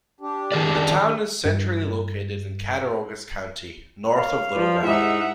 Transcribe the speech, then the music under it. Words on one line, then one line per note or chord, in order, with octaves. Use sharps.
The town is centrally located in Cattaraugus County, north of Little Valley.
D4 G4
D#3 G#4 D5
G2
A#4 C#5 F5
F3 B4 D5
G#2 D#4 E4 G4 G#4 E5 F#5